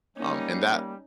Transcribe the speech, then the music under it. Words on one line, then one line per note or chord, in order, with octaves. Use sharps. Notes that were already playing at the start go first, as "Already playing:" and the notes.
um, and that,
G3 A#3 C#4 D#4